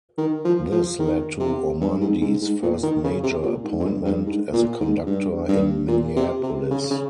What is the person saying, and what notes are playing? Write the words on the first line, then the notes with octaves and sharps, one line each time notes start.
This led to Ormandy's first major appointment as a conductor, in Minneapolis.
D#3
F3
F3
D#3
C3
G2
G#2
G#2
G#2
A#2
D#3
C#3
C3
A#2
G#2
F2
G2
G2
G#2
A#2
G#2
G2
G2
A#2
C3
C3
C#3
C#3